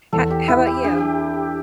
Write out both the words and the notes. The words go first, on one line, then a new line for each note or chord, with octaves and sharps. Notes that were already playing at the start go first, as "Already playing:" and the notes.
Ho how 'bout you?
E2 A4
G4
E3 E4
G4
D4 G4